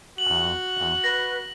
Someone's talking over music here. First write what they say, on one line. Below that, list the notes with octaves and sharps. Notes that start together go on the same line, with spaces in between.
I'll I'll
F#4 F#7
B4 A#6